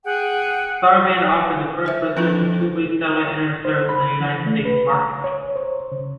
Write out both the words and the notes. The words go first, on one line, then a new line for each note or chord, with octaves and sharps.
StarBand offered the first residential two-way satellite Internet service in the United States market.
G#4 F#5 G5
C5 E5
F2 D4 F4 B4
C5
B5
E3
A3
B4
A#5
C#5
C5
C#3